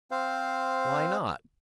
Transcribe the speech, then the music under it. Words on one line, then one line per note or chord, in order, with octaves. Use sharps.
"Why not?"
C4 C5 F5